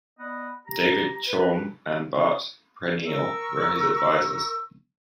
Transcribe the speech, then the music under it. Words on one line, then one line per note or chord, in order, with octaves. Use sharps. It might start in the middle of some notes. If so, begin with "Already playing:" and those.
David Chaum and Bart Preneel were his advisors.
B3 D5 D#5 F#5 B5
G4 A#5
B4
A#4 C#6 E6